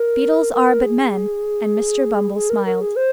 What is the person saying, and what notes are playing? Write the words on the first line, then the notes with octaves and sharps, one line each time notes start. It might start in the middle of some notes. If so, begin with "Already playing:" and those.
Beadles are but men: and Mr. Bumble smiled.
Already playing: A#4
A#4
G#4
G#4
A#4
A#4
G#4
C5